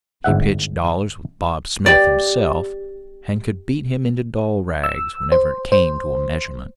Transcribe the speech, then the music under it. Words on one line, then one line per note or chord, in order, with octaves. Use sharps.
He pitched dollars with Bob Smith himself, and could "beat him into doll rags" whenever it came to a measurement.
G1 G#2 E5 F#5
G4 D5
E6
C5
C5